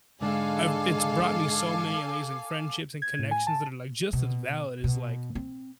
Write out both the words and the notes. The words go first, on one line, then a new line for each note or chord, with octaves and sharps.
I've it's brought me so many amazing friendships and connections that are like just as valid as, like,
G#2 D3 G#3 D4 A4 F5 G#5 D6
G#6
A2
G#5
A5
B2
B2
C4